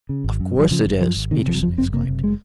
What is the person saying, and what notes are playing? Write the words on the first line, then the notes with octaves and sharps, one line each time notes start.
"Of course it is," Peterson exclaimed.
C#3
G#1
F#2
G#1 F#3
C#3 F3
G#1
F#2 F3
G#1
C3 D#3
F#1 F3
F#3
F2 F3
F#1 C4
C3 A#3
F#1
G#3